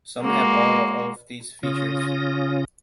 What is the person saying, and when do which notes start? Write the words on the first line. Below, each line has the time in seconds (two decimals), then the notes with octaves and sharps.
Some have all of these features.
0.21 G#3 A#3 F#4
1.63 C#3 C#4 F4 D#6 A#6